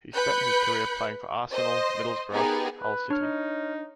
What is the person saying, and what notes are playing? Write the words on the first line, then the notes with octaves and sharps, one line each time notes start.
He spent his career playing for Arsenal, Middlesbrough, Hull City.
B4 B5 F#6 G6 C#7
C5 D#5 C6
B3 D#4 G4 G#4 A#4
B4
D4 C#5 F6
D#4